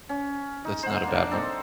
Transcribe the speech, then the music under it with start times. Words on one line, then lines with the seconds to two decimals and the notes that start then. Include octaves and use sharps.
That's not a bad one.
0.09 C#4
0.64 D#4
0.83 C5 F#5
1.04 A#3 D4
1.31 C4 D#4 A4